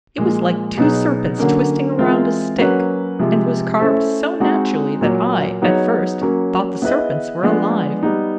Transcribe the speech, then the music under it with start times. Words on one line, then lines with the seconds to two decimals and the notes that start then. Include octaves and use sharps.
"It was like two serpents twisting around a stick, and was carved so naturally that I, at first, thought the serpents were alive."
0.18 A#2 F3 G#3
0.77 B2 F#3 B3 D#4 G#4
1.38 D3 F#3 A#3 C#4
1.98 E3 G#3 C4 F4 A#4
2.58 F#3 A#3 C#4 F#4 B4
3.19 C3 F3 G#3
3.80 A3 C#4 E4 A4 C5
4.40 G#3 C4 D#4 F#4
5.01 A#2 F#3 A#3
5.62 F#3 B3 D#4 G#4 C#5
6.21 F#3 A#3 C#4
6.82 B3 E4 G#4 B4 D#5
7.43 F3 G#3 B3 D4
8.03 G3 B3 D#4